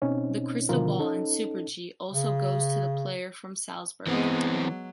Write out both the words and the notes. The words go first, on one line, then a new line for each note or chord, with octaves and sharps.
The crystal ball in Super-G also goes to the player from Salzburg.
B2 C4 C#4 D#4
B2 D3 D#3 F3 F4 A#4
C#4 D#4 A4
C#3
E3 G#3 B3 C4
F#3